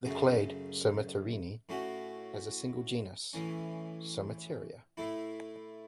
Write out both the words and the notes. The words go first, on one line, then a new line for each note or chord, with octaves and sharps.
The clade Somaterini has a single genus "Somateria".
F#2 C#3 A3
A2 A3 C#4 F#4
A2 E3 C#4
A2 A3 E4